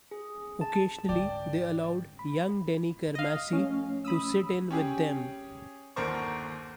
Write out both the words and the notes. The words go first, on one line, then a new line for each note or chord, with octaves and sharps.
Occasionally they allowed young Denny Carmassi to sit in with them.
G#4
A5
G#2 D3 D5 G5
B5
D#5 F5
F3 A3 C#4
B5 D#6 E6
C#4 G4 G#4
G1 D#2 A4 A#4 C5 C#6